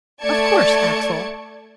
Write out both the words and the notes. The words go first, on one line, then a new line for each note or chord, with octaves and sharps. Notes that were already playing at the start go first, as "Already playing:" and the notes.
"Of course, Axel."
A3 D5 A5 G#6 C#7